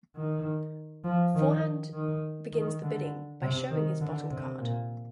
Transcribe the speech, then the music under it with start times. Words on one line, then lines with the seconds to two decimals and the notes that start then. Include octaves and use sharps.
Forehand begins the bidding by showing his bottom card.
0.16 D#3
1.04 F3
1.35 D#3
1.93 D#3
2.53 D#3
2.83 D3
3.42 C3
3.71 D#3
4.01 D3
4.31 C3
4.60 A#2